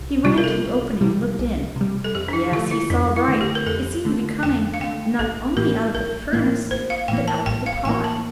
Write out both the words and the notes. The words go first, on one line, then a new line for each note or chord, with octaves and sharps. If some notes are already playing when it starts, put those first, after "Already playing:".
He ran to the opening, and looked in: yes, he saw right; it seemed to be coming, not only out of the furnace, but out of the pot.
Already playing: C2
C3 G3 F4
A#4
A4
C2
C3 G3
C2
C3 G3
A4
F2 G4
D4
E4
D3 A3 F4
E4
F2 D4
E4
D3 A3
G4
A#4
F2 A4
D3 A3
F2 G5
F5
D3 A3 G5
A1 A4
A2 E3 A#3 A#4
A1 A#4
A2 E3 A#3
A1 C5
F5
A2 E3 A#3 G5
A5
A1 G5
F5
A2 E3 A#3 G5
A5